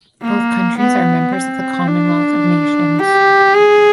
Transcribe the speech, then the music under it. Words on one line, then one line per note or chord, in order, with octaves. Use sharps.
Both countries are members of the Commonwealth of Nations.
A#3
B3
C4
D4
G4
G#4